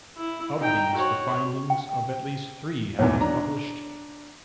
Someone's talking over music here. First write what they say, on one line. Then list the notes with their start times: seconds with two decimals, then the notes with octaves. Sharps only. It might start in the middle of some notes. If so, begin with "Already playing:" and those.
Of these, the findings of at least three have been published.
0.17 E4
0.59 D#4 G5
0.95 F#4 C#5
1.70 G5
2.99 B1 E2 E3 C#5
3.21 D4 A#5